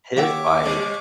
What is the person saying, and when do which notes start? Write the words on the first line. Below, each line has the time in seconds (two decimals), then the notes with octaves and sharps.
his bike,
0.16 D#2 G4 C#5 E5 F#5 D6
0.64 C3 G3